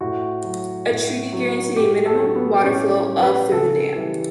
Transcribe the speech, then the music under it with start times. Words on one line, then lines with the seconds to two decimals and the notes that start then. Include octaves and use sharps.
A treaty guaranteed a minimum water flow of through the dam.
0.01 A2 F#4
0.44 F#3
0.88 A2
1.33 F#3
1.76 A2 G4
2.06 A4
2.20 F#3
2.35 B3
2.64 A2 C#4
3.08 G3
3.22 B4
3.52 C#3 A4
3.96 E3 G3